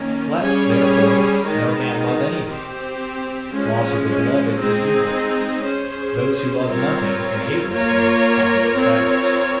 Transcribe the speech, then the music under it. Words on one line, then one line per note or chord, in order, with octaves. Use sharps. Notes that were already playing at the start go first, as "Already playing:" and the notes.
Let, therefore, no man love anything; loss of the beloved is evil. Those who love nothing and hate nothing, have no fetters.
Already playing: D#3 A#3 C#4
G3 C#4 G#4 C#5
D#3 G#3 D#4
C4 G4 C5
F3 G#3 C#4
G#3 C4 D#4 G#4
C#4 G#4 C5
G3 C4 F4 A#4 C#5
A#3 F4 A#4 C#5
C4 F4 A#4 C#5